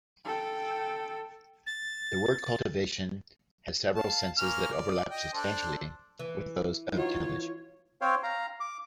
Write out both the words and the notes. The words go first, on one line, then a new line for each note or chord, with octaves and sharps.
The word "cultivation" has several senses that overlap substantially with those of "tillage".
A4 G5
A6
F5 A5
A#3 C#4 F6
D5
D#5 G5
D4 A4 C5
E3
D#4 F4 F#4 C#5
C4 C5 C#5 F5 G5
F5 A#5
D6